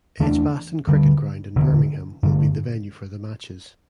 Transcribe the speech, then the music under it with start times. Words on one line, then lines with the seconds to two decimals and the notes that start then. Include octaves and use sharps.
Edgbaston Cricket Ground in Birmingham will be the venue for the matches.
0.20 E2 E3 A3 D4
0.87 D2 D3 G3
1.56 E1 D2 D3
2.23 G2 D3 A3